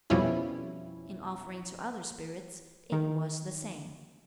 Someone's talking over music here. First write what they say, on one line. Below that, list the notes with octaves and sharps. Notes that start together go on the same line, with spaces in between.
In offering to other spirits it was the same.
F2 B2 F3 G3 C#4 E4
D#3